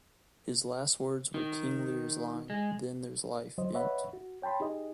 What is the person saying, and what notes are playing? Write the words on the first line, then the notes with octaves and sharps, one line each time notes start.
His last words were King Lear's line: Then there's life in't.
D#3
G#3
D2 F#3 C5 D#5
B4 C#5 D#5 E5 F#5 B5
F#4
C#5 G5 A5 B5 C6
D#4 G4 G#4 D#5